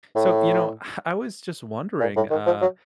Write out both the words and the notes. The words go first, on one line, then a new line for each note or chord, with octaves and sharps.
So, you know, ah, I was just wondering, uh,
A2
A#2
A2
D#3
F3
F#3